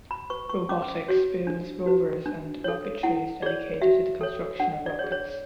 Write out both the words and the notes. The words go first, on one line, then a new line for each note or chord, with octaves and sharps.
Robotics builds rovers and Rocketry is dedicated to the construction of rockets.
B5
B4 C#6
C#6
C#4 D6
F#4 C#5
D4
F#4 B4
D4
A4 C#5
E4 F#5
G#4 C#5 D5
F#4 E5
A4 C#5
D4 F#5
D5
C#5
G#4
C#5